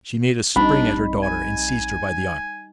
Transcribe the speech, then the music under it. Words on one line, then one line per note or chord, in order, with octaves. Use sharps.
She made a spring at her daughter, and seized her by the arm.
A#1 G3 C4 D4 D#4 B5
G#5